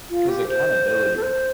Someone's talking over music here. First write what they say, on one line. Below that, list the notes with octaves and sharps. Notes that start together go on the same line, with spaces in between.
'cause accountability
F4
G4
C5
A4
C5